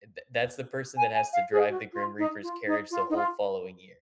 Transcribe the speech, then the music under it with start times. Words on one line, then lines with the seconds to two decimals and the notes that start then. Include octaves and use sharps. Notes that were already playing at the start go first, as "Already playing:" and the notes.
th that's the person that has to drive the Grim Reaper's carriage the whole following year,
0.97 G#5
1.14 G#5
1.33 F5
1.52 G#4
1.69 F#4
1.93 F4
2.18 D#4
2.43 F4
2.67 D#4
2.91 F4
3.10 D#4
3.16 F4